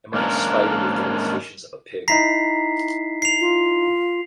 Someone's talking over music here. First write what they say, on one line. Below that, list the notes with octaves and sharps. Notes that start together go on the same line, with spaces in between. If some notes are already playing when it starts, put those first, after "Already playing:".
Am I a spider with the limitations of a pig?
G#2 A#3 C#4 D4 A#4
D#4 E4 A#5 B6 C7
C7 F7
F4